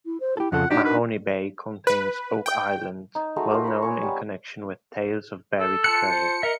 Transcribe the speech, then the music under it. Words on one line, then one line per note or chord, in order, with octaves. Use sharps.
Mahone Bay contains Oak Island, well known in connection with tales of buried treasure.
E4
C5
E4 G4 A4
F2 C#3 F4 A4 F#5
D4 D#4 F#4 G4 D5
A#4 B4
B4
G5
D#4
G#3 A3 D#4 F#4
F4 A#4
C#5 A#5 B5
G#5 C#6
G3 B3
A4
F4 A5 F#6 C#7
C5
A#4 D#5 E5